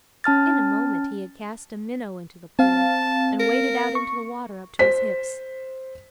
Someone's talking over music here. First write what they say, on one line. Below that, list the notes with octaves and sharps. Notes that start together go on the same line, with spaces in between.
In a moment he had cast a minnow into the pool and waded out into the water up to his hips.
C#4 A5 F6 A6
C4 F5 A5
A#4
C#6
C5 B6